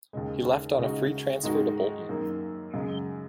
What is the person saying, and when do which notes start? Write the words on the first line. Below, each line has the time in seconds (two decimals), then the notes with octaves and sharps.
He left on a free transfer to Bolton.
0.13 D#2 C#3 G#3
0.78 C#3 G#3 D#4 F#4
1.43 G#2 D#3 G#3 D#4 F#4
2.09 F#2 D#3 A#3
2.74 F#2 C#3 G#3